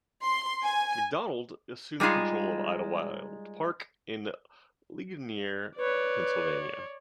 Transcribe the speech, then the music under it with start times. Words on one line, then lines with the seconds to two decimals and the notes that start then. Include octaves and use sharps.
Macdonald assumed control of Idlewild Park in Ligonier, Pennsylvania.
0.23 C6
0.64 G#5
2.00 G3 G#3 D#4 F4 G#4
5.78 B4 C#5 D5